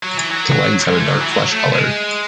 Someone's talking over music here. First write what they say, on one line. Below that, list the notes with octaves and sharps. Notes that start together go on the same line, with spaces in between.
The legs have a dark flesh color.
F#3
E3
F#3
G#3
A3
F#3
E3
F#3
A3
G#3